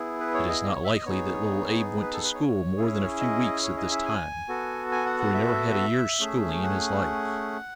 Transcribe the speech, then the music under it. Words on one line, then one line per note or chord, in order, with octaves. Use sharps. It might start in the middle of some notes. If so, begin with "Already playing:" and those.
It is not likely that little Abe went to school more than a few weeks at this time, for he never had a year's schooling in his life.
Already playing: B3 E4 G#4
B4
C#5
D#5
D#5
C#5
E5
D#5
B3 D#4 G#4 C#5
B4
A4
B4
C#5
C#4 E4 G#4
D#5
C#5
D#5
E5
G#5
B3 F#4 A4
G#5
F#5
F#5
E5
A3 C#4 G#4
F#5